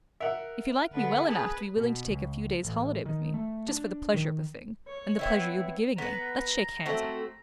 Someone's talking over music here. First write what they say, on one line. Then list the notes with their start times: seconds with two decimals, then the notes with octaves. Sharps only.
If you like me well enough to be willing to take a few days' holiday with me, just for the pleasure of the thing, and the pleasure you'll be giving me, let's shake hands on it.
0.20 A#4 E5 F#5
0.92 D3 B3 D4 B4
1.26 G#4 B4 A5 D#6
1.77 B2
2.08 C#2
2.63 A1
3.06 D#3
3.34 A3
3.68 D4
4.14 D#3
4.87 C#5
5.19 B3 C4 E4
5.98 B3 B4 A#5
6.85 A3 C4 F#4